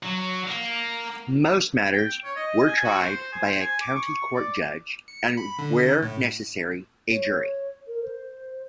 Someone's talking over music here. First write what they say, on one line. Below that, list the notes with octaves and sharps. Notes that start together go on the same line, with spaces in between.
Most matters were tried by a county court judge, and where necessary, a jury.
F#3
A#3
G5
C#5
D#5
G#5
F#4
C5
G#5
C5
G#5
D6
C#6
D5
C#7
B5
D3
A2
C#5
A#4
C5